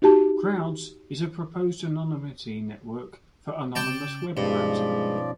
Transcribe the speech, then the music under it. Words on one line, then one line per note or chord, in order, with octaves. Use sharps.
Crowds is a proposed anonymity network for anonymous web browsing.
D#4 F#4 G4 A5
C#3 D5 G5 A5
G2 B2 F3 G#3 C#4 D#4 D5